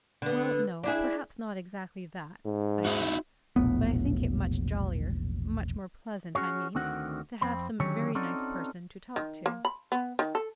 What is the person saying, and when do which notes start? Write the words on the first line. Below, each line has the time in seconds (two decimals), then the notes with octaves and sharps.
"Well, no, perhaps not exactly that," I said; "but I think it much jollier--much more pleasant, I mean--to have some very nice person to talk to."
0.22 D3 B3
0.83 D4 E4 G#4
2.45 G#2
2.85 D#4 E4 F#4
3.56 E1 A#1 A2 B3
6.35 C#4 F#4 G#4 C#5
6.75 D2 D3 D#3 C4 F#4 F#5
7.41 F2 C4 B5
7.80 D3 D#3 F#3 C#4 G4 C#5
8.15 C4 C#4 D#4 F#4 A4 D5
9.16 D#3
9.46 A#3
9.65 B5
9.92 B3
10.19 D#3
10.35 A4